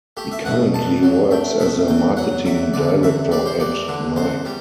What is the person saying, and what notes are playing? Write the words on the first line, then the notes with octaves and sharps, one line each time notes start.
He currently works as a marketing director at Nike.
A3 G4
E5
B2 F#5
E2 A5
F#3
A3 G5
B2 E5
E2 G5
F#3 F#5
E2 E5
D3 D5
E2 E5
G3 D5
C5
E2 D5
D3
E2 C5
G3